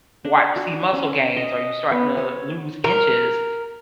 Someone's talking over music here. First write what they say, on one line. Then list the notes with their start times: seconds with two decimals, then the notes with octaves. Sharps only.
wat see muscle gains? Are you starting to lose inches?"
0.25 D4
0.56 F#4
0.93 C#4
1.36 D#5
1.91 B3
2.17 C#5
2.84 A#4